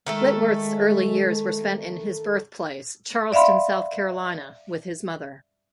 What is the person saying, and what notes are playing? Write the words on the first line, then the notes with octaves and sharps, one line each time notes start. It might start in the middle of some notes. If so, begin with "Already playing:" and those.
Whitworth's early years were spent in his birthplace, Charleston, South Carolina, with his mother.
D#3 G#3 A3 A4
D5 E5 F5 B5 C6